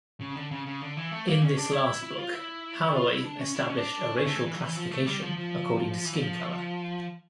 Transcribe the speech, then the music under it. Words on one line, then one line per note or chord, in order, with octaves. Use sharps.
In this last book, Halloy established a racial classification according to skin colour.
C#3
D3
C#3
C#3
D3
E3
A3
A#3
C#4
D4
E4
E4
F4
E4
F4
E4
D4
C#4
E4
D4
C#4
D4
C#4
A3
E3
E3
F3
E3
F3
A3
G3
F3
F3
F3
E3
F3